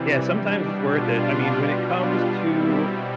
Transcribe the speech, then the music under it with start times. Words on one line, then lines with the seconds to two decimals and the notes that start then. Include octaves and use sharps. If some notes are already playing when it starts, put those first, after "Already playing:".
Yeah, sometimes it's worth it. I mean, when it comes to,
Already playing: C3 E3 G3
0.31 B2 G3 D4
0.83 D4 F4
1.36 B2 G3
1.87 D4 F4
2.39 B2 G3 C4 E4